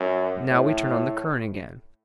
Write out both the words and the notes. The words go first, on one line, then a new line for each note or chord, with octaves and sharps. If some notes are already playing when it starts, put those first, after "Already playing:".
Now we turn on the current again.
Already playing: F#2
A2